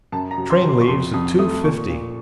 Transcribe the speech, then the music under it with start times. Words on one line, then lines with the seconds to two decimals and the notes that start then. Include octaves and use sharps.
Train leaves at two-fifty.
0.12 F#2 A5
0.31 A#5
0.38 F#3
0.50 C6
0.62 F#3
0.69 C6
0.81 C#6
0.88 F2 C6
1.13 F2 D#6
1.39 A3 D#6
1.64 A#2 C#6
1.90 A#2